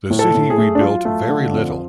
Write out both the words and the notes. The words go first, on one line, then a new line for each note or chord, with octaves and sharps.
The city rebuilt very little.
A2
A4
A2
G#4
A3
D4
F#3 F4
A3
D3
F2